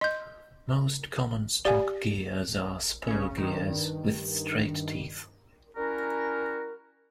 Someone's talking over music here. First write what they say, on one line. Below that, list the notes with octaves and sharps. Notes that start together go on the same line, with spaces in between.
Most common stock gears are spur gears, with straight teeth.
D#5 C6 G6
G4 D5 F5 G#5
C#3 C#4
G2 D#3
G3 C#4 E4 F#4 A#4